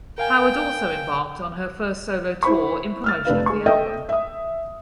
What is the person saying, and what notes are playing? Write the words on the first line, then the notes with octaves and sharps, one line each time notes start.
Howard also embarked on her first solo tour in promotion of the album.
A#4 F5 G5 G#5
E4 C5 B5 C#6
E6 F6 A6
F1 D4 B4 F5
G#3 C#6
A4 D#5 E5 G5
E5 D#6